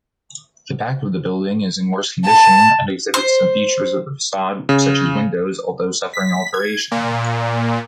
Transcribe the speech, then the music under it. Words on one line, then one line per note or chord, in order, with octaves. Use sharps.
The back of the building is in worse condition, and exhibits some features of the facade, such as windows, although suffering alteration.
A5
C5
C#3
B6
G#6
A#2